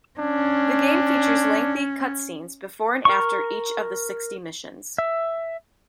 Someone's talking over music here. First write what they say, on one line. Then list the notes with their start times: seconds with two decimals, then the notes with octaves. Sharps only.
The game features lengthy cutscenes before and after each of the sixty missions.
0.19 C#4 D4
3.05 A#4 C#6
4.98 E5